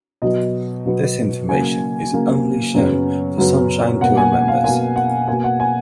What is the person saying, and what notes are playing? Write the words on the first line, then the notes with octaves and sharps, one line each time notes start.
This information is only shown for Sunshine Tour members.
B2 F#3 B3 D#5
B2 F#3 B3
C#3 F#3 A#3 G#5
C#3 F#3 A#3
F#2 C#3 F#3 B3
F#2 C#3 F#3 B3
B2 A#3 F#5
G#5
F#5
F5
B2 A#3 G#5
F#5
B2 A#3 G#5
F#5
G#5